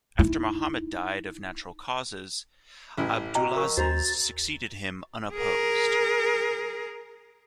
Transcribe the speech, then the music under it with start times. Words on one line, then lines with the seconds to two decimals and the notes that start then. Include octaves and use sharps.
After Mohammed died of natural causes, Abdulaziz succeeded him unopposed.
0.19 D#4 E4
2.97 A1 E4
3.35 F#4 D#5 G5 A#5
3.56 A#4 C#6
3.77 D#2 F#4 C5 A#5 A6
5.33 G#4 A#4